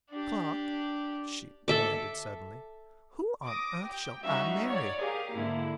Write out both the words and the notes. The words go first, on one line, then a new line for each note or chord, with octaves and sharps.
"Clark," she demanded suddenly, "who on earth shall I marry?"
D4 G4
A4 E5 D6
D6 D#6 A#6
G4 G5
G3 C#4 D#4 F#4 E5 F5
C#5 D5
G4 G#4 A#4 F5
G#2 D3 A#3 E4